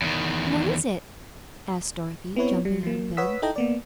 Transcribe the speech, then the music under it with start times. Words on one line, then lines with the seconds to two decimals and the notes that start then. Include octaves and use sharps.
"What is it?" asked Dorothy, jumping out of bed.
0.02 E2 D#3
2.36 B3 C4 E4 B4 C#5
2.65 G3
2.83 F#3 A#3
3.17 B4 C#5 F#5 D#6 E6 B6
3.42 D#4 E4 A4 D#5 G5 A#5
3.56 A#3 B3 D5